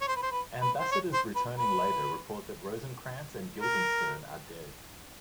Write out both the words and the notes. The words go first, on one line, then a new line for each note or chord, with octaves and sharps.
Ambassadors returning later report that Rosencrantz and Guildenstern are dead.
C#5
C5
B4
C5
B4
B4
C5
C#5
C5
B4
B4
A#4